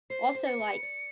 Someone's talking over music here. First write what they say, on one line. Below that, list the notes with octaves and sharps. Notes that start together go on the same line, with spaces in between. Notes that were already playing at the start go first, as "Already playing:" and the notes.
also, like,
C5 C7
C5
C#7
B4
D5